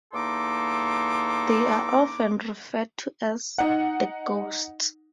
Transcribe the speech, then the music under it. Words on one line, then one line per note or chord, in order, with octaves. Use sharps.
They are often referred to as "the Ghosts".
E2 A#3 D#4 A4 C6 D6
D#4 F#5